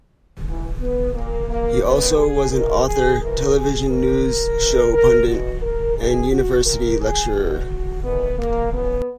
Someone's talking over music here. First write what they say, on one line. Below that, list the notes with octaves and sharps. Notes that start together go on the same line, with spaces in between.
He also was an author, television news show pundit, and university lecturer.
G#2 E3
B3
A#2 A#3
A#3
F#2 D#3 B3
G#4
E2 D#3 A#4
G#4
G#2 E3 A#4
G#4
G#2 D#3 A#4
E2 B2
A#4
E2 B2 F#4
A#4
E2 D#3 G#4
F#4
A#2 A#4
G#4
E2 B2 F#4
E2 D#3 B3
A#3
F#2 C#3 E3 B3